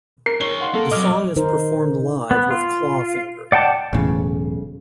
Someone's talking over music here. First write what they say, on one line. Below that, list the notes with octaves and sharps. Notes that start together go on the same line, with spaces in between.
The song is performed live with Clawfinger.
A#4 C7
D#4 C#5 G7
F5 F#5 C6
A#3 A4
A#2 F#3 D#5 D6 F6
D#3 D#4 A#4 C5
B3
F4
D5 F#5 G5 A5
E1 B1 A2 C#3 E3